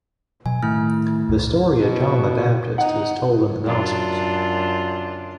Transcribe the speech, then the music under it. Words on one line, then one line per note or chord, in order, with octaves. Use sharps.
The story of John the Baptist is told in the Gospels.
B2 F#3 G#5
A2 D#3 A3 E4 F6
C#2 G2 A#2
B2
D#4 F#5
F#2 D4 F4